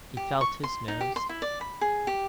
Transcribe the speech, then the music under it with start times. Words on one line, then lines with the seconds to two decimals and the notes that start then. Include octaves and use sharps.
He felt his nose.
0.17 G4
0.41 C#6
0.63 C6
0.88 D#4
1.01 G4
1.16 C6
1.29 E4
1.42 D5
1.61 B5
1.81 G#4
2.07 G4